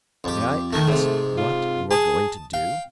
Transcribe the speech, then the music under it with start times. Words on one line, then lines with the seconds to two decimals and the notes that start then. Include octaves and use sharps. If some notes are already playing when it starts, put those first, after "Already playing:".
"May I ask what you are going to do?"
0.24 F2 G4
0.73 D#3 A3
0.88 G#2 C3 A3
1.37 F4
1.91 G#4 A5 D#6
2.53 F5 G5